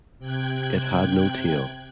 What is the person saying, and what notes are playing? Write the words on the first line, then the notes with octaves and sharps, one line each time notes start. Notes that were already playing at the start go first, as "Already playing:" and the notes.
It had no tail.
C3 G5 F#6 G#6